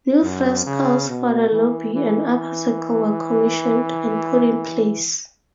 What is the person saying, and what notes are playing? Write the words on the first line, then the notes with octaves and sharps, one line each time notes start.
New frescos for the lobby and upper circle were commissioned and put in place.
F#2
C#3
B2
E3
E3